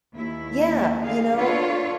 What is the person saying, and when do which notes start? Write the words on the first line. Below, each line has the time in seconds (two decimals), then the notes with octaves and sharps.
Yeah, you know
0.14 D#2 E4
1.02 D3 A#3 G#4 F5
1.36 D4 F4 A4 B4 C#5